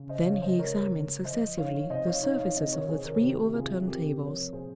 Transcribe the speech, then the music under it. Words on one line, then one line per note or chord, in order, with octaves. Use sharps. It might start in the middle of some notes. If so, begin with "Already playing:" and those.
Then he examined successively the surfaces of the three overturned tables.
Already playing: C#3
C5 D#5
C#3 C#5 F5
C5 D#5
G#3 A#4 C#5
C#3
F3 C5 D#5
D#4 C#5 F5
C3 C5 D#5
C#5 F5
D#4 C#5 F5
C#5 F5
C3 C5 D#5
A#4 C#5
D#3 G#4 C5
A#4 C#5
C5
C3 G4 A#4
C3 F4 G#4
C4 G4 A#4
F3 A#4 C#5
A#2 G#4 C5